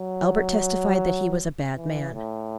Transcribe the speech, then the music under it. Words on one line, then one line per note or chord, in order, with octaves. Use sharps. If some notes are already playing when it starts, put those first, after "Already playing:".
Albert testified that he was a bad man.
Already playing: F#3
E3
A2